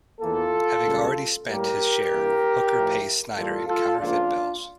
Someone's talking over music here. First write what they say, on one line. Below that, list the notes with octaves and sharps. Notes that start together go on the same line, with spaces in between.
Having already spent his share, Hooker pays Snyder in counterfeit bills.
E2 E3 A#3 F4 A4
C#2 C#3 G3 A#3
A2 G3 A#3 G4 A#4
G2 E3 A#3
A2 F3 A3
A2 E3 G3 A#3 F4 A4
F4 A4
C#2 C#3 F3 A#3 D4 F4